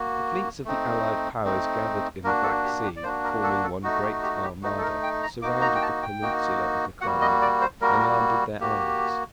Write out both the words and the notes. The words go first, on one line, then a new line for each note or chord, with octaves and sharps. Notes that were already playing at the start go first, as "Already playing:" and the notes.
The fleets of the allied powers gathered in the Black Sea, forming one great armada; surrounded the peninsula of the Crimea, and landed their armies.
Already playing: A#3 F#4
A3 C4 D#4
A3 C4 D#4
A#3 D4 F#4 A#4
A4
G4
G4
D5
A#3 D4 F#4 C5
A#4
A4
A4
A3 D#4 F#4
G4
G4
G4
A3 D#4 F#4
A4
A#4
G5
A#5
A#3 D#4 F#4 D6
A#5
G5
A5
G5
A#3 D#4 F#4
G3 A#3 F#4 F#5
D#5
D5
C5
G3 A#3 F#4 A#4
A#3 F#4 G4